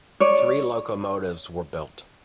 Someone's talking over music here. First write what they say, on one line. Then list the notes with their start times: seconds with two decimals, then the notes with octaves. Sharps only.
Three locomotives were built.
0.20 C#5 D5